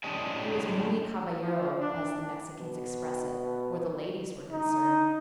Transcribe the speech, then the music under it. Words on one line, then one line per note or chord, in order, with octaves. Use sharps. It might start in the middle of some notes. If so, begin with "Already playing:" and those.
He was /muy caballero/, as the Mexicans express it, where the ladies were concerned.
A2 C#4 D4 G4 D#5 G#5
F3
D4
B2
D#4